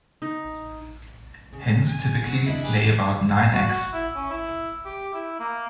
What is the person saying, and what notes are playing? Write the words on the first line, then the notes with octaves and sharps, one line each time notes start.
Hens typically lay about nine eggs.
D#4
C#3
G#5
F#3 B3 F#4
D4 E4 D#5 E5
G4 G#4 B4
F#4
F#4
E4
C#4
E4
G4
E4
A#3